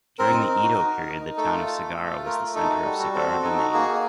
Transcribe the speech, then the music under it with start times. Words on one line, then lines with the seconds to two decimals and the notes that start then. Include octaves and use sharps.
During the Edo period, the town of Sagara was the center of Sagara Domain.
0.19 C4 A#4
0.34 D#4
0.48 D#4
0.63 F#4
0.78 D#4
0.93 D#4
1.08 D#4
1.22 D#4
1.37 A3 A4
1.52 F4
1.66 A3
1.81 A3
1.96 A3 A4
2.11 F4
2.26 A3 A#4
2.41 A3
2.55 D#4 A4
2.70 F#4
2.84 G3
2.99 F#4
3.14 C4 A4
3.29 F#4
3.44 D#4
3.58 F#4
3.73 A#3 G#4
3.88 A#3